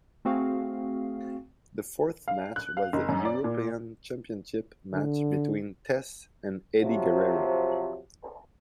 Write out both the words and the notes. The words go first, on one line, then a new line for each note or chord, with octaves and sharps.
The fourth match was the European Championship match between Test and Eddie Guerrero.
A3 C4 F#4 G#4 F5
F5
F#6
F5
F#1
F#2
D5
A#2
D3
C3 F3 F#3